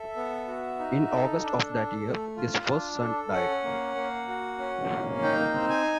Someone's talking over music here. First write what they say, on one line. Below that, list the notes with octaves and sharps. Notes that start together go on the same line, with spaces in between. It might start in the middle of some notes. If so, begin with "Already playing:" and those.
In August of that year, his first son died.
Already playing: A4 E5
B3
F#4
D#4
A4
D4
A4
A3
F4
D4
A4
C#4 F#5
A#3
A#3
F#4
C#4
A#3
D#4 G5
C4
G#5